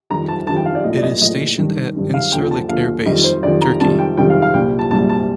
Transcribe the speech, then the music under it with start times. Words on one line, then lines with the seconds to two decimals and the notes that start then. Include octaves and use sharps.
It is stationed at Incirlik Air Base, Turkey.
0.10 F2 D#3 G3 A#5
0.28 A5
0.47 F2 D#3 G3 A5
0.56 G5
0.66 F5
0.75 D5
0.84 A#1 A2 F3 D#5
0.97 D5
1.03 D#5
1.21 A#1 A2 F3 D#5
1.58 G2 D#3 G3
1.95 G2 D#3 G3
2.14 F5
2.32 D#2 D3 F3 G5
2.51 A5
2.69 D#2 D3 F3 F5
3.05 F2 D#3 G3 D#5
3.24 C5
3.43 F2 D#3 G3 D5
3.61 A#5
3.80 F2 C3 D#3 G3 A5
3.98 G5
4.17 F2 C3 D#3 G3 G5
4.30 F5
4.42 F5
4.54 C2 A#2 G3 G5
4.79 A5
4.91 C2 A#2 G3 A5
5.09 A5